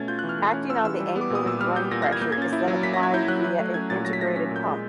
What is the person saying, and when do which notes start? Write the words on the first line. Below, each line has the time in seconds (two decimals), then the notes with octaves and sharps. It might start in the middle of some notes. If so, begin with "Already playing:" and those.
Acting on the ankle and groin pressure is then applied via an integrated pump.
Already playing: B2 A3 C#4 G#6 A6
0.08 F4 G6
0.19 E3 F#6
0.29 F6
0.39 A3
0.53 C#4
0.70 F4 E6
0.84 E3 E6
1.00 G3
1.16 B3
1.21 D6
1.30 A#2 D#6
1.46 A#2 E6
1.60 G3 F6
1.76 B3 G6
1.91 A#2 A#6
2.02 A#6
2.07 A#2
2.13 G#6
2.21 A#3 G6
2.32 G#6
2.38 C#4 A6
2.53 E4
2.68 F#3
2.83 A#3 B6
2.94 C#4 A#6
3.03 G#6
3.14 E4 G6
3.28 F#3 F#6
3.44 F#3
3.59 A3
3.74 C#4 G#6
3.90 A#2 A6
4.05 F#3 A#6
4.13 B6
4.20 A3 A#6
4.36 C#4 B6
4.51 A#2 G6
4.66 G#3